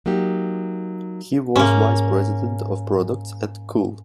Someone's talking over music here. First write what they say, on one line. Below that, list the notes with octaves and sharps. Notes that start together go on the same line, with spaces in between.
He was Vice President of Products at Cuil.
F#3 A#3 D#4 G4
G#2 A#3 C#4